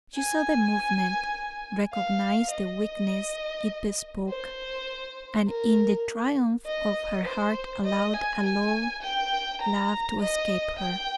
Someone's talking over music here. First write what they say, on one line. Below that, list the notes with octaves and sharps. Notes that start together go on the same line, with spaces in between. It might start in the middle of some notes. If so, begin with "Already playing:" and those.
She saw the movement, recognised the weakness it bespoke, and in the triumph of her heart allowed a low laugh to escape her.
G#5
F5
D#5
C5
A#4
D#5
C5
D#5
G#5
G#5
G5
A#5
D#5
G5